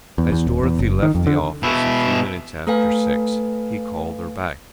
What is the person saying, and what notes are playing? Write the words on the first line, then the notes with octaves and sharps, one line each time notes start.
As Dorothy left the office a few minutes after six he called her back.
E2
E2
D#1
E2
F#1
D#3
F2
D3
B2 E4
A3 A4 B4 F5 G#5